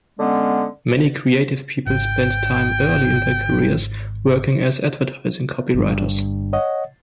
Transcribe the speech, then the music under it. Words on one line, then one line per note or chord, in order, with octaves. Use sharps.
Many creative people spend time early in their careers working as advertising copywriters.
D3 G#3 B3 C#4
G#1 G5
G1 G2
C#5 D#5 F#5